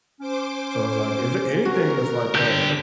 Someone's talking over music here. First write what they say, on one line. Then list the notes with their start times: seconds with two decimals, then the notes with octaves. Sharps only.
so, it's, like, if anything that's like that,
0.20 C#4 C5 D6
1.65 F#4 A#4
2.35 D3 G4 G6 B6